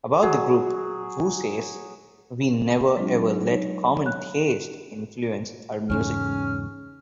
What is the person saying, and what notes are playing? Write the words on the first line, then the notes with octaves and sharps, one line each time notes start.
About the group, Wu says, We never, ever let 'common taste' influence our music.
F#3 G#4
F#3 G#3 C4 D4 F4
F#3
D#4 C#5
C#5 F#6
E2 G#2 C#3 C#4 F6